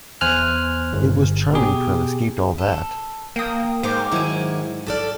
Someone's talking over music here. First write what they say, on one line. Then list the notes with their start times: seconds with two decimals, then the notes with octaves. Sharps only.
It was charming to have escaped all that!
0.21 E2 C5 G#5 F6 F#6
0.93 G1
1.53 B2 G4 G#4
2.58 A4
3.36 A#3 G5 D#6
3.83 G#2 A#4 C5 F5 G5 D6
4.12 D#3 F#3 E4 C#5 G#5
4.87 G4 A4 D5 A5 F6